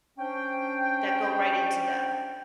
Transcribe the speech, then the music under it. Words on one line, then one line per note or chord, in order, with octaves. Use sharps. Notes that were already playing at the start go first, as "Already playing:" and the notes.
that go right into them,
C#4 D4 C5 G5